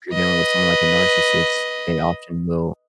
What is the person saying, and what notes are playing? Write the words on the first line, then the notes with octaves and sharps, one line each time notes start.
if you're dealing with someone like a narcissist, they often will
B4 D#5